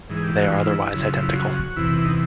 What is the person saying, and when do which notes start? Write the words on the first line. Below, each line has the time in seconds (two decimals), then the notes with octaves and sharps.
They are otherwise identical.
0.09 G#2 E3
0.17 G#4
0.23 G4
0.37 F#4
0.52 F4
0.66 E4
0.79 E4
0.94 F#2 C#3 F3 E4
1.14 E4
1.29 F4
1.35 F#4
1.76 E2 C3 E3 E4
1.98 E4
2.05 D#4